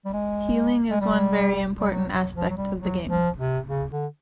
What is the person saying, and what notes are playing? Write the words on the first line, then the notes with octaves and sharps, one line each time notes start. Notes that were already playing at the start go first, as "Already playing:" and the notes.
Healing is one very important aspect of the game.
G3
G#3
G#3
G3
G3
F#3
F#3
F3
F#3
G3
F#3
F3
C3
C#3
D3